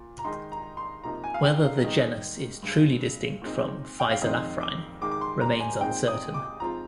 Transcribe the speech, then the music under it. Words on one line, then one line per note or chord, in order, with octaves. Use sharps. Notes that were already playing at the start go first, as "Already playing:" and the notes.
Whether the genus is truly distinct from "Phyzelaphryne" remains uncertain.
Already playing: A#2
A#5
D#3 G#3 D#4 C6
A#5
C6
C3 F3 A#3 D#4 A#5
G#5
F5
G5
F5
G#2 D#3 G3 D#5
G2 D3 G#3
A#2 G#3 C4 D#4
G5
F5
F2 D#3 G#3 C4 D#4 D#5
D6
G#2 D#3 G#3 D6
D6
C6
A#5
G#5
A#2 G#3 C4 D#4 G5
D#6
D6
G#2 F3 C4 F4 A#5